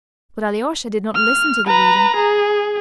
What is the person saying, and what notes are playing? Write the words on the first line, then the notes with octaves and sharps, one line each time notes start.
But Alyosha did not listen to the reading.
F6
B4 A#5
G#4